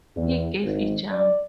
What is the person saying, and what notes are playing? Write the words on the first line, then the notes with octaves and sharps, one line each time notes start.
He gave a jump.
E2
G#1
D5